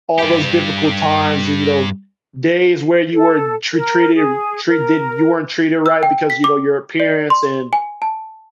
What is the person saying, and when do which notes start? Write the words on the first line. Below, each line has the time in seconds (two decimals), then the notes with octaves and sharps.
all those difficult times and, you know, days where you were tr treated treated you weren't treated right, because, you know, your appearance, and
0.19 G2 G4
3.13 A4
3.72 A#4
4.14 G#4
4.66 A#4
5.86 E6
6.03 G5
6.30 B6
6.44 D6
7.00 D5
7.30 C6
7.73 G#5
8.02 A5